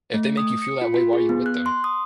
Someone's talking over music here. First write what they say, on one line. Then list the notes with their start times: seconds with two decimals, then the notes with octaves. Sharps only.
If they make you feel that way, why are you with them?
0.14 A3
0.37 D#6
0.62 C#7
0.81 F4
0.94 F4
1.13 G#4
1.29 B3
1.46 F#6
1.66 C6
1.84 D#6